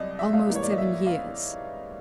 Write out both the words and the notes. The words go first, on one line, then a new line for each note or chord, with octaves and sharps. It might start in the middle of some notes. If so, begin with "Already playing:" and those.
"Almost seven years."
Already playing: C2 F#3 D5 D#5
E5
F5
G#2 E3 G3 A#3
C#5
D5
D#5
E5
F5